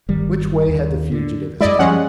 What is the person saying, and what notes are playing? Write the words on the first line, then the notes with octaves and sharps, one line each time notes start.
Which way had the fugitive escaped?
G1 D#3 G3
D#2
D3
F#2 G#3 E4 D5 D#5
F3 G3 G#3 C#4 F#5